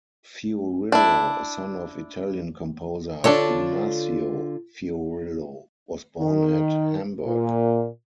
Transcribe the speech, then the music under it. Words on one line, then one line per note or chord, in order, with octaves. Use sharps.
Fiorillo, a son of Italian composer Ignazio Fiorillo, was born at Hamburg.
D4 E4
D3 D4 F4 A4 C#5
D#3
A#2